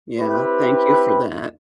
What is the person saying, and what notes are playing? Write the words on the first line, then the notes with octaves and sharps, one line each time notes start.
Yeah. Thank you for that.
C4 E4 G4 B4